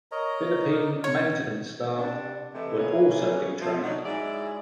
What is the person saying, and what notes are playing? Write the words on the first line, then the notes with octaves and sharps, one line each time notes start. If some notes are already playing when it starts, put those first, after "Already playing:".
Philippine maintenance staff will also be trained.
A#4 C#5 D#5 A#5
D#4 A#4 D5
C#5
C3 D4
C3 E3 G#3 A3
A#3 G#4 B4 C#5
F3 A3
F#3 D4 D#4
G#2 F#3 G#3 E4 G#4 D5